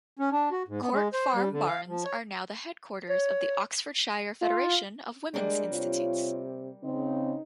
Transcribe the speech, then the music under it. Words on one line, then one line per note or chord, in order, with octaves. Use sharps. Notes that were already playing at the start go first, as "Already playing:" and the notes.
Court Farm Barns are now the headquarters of the Oxfordshire Federation of Women's Institutes.
C#4
D4
F#4
G#2
B3
G#3
C5
G3
D3
F5
F3
C#5
C#5
F4
G3 G#3 A#3 D4
C3 F4 C#5
C#3 C4 D#4